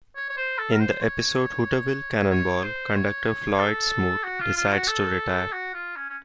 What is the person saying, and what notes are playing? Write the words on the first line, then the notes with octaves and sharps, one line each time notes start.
In the episode, "Hooterville Cannonball" conductor Floyd Smoot decides to retire.
C#5
C#5
C5
A4
A#4
C5
C#5
C#5
C5
C#5
A4
F#4
F4
F4
F#4
A4
F#4
F4
C#4
C#4